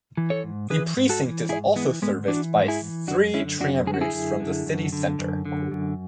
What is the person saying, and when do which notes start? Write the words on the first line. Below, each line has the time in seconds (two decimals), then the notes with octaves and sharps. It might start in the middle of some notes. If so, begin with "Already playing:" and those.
The precinct is also serviced by three tram routes from the city centre.
0.17 E3
0.30 A4 C#5
0.44 G#2
0.70 E3 G#4 B4
0.97 G#2
1.09 F#4 A4
1.23 E3
1.49 G#2 E4 G#4
1.76 E3 G#3 B3
2.02 G#2 G#3 B3
2.28 E3 D4 F#4
2.55 G#2
2.68 E4 G#4
2.81 E3
3.07 F#2 D4 F#4
3.34 D3 C#4 E4
3.60 F#2 D4 F#4
3.87 D3 G#4
3.94 F#4
4.01 E4 G#4
4.13 F#2
4.40 D3
4.66 F#2
4.92 D3
5.19 F#2
5.45 D3
5.71 F#2